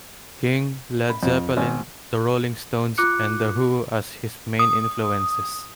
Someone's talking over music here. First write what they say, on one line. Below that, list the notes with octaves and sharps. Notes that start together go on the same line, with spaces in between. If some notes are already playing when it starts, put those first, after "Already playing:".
King, Led Zeppelin, The Rolling Stones, and The Who as his main influences.
B5
F2
G#1
F4 D6 F#6 C#7
D#6